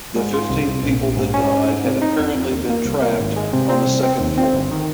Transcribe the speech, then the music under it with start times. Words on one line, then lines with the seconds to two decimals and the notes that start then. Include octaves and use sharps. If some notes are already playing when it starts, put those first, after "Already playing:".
The fifteen people that died had apparently been trapped on the second floor.
0.16 G#2
0.33 F4
0.50 C2
0.67 C2
0.83 A#1
1.01 A#1
1.17 G#2
1.34 C#4
1.52 G#2
1.68 G#2
1.84 C3
2.02 D#4
2.19 F2
2.35 F2
2.51 D#2
2.69 A#3
2.85 C2
3.02 A#3
3.20 G#1
3.36 G#3
3.53 C3
3.69 C4
3.86 C2
4.03 C4
4.20 D#2
4.38 C4
4.54 G1
4.71 D#3